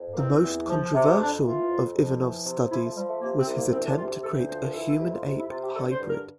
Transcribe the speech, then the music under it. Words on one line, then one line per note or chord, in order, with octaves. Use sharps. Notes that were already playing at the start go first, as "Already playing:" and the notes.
The most controversial of Ivanov's studies was his attempt to create a human-ape hybrid.
Already playing: F2
A#3
E2 C4
E2
F3
C3
F2 D4
E3 F4
F2
F3
E3
C3
F3 E4
A3
F3 G3
A3
C3 A#3
C4
C2
A#3
D2 C4
D4
C3 F4
D2 A4
C5
F3 C5
A#4
E3 A4
A4
F2 G4
F4
C3 F4
E4
C3 F4
G4
D3 A4
C5
G2
A#4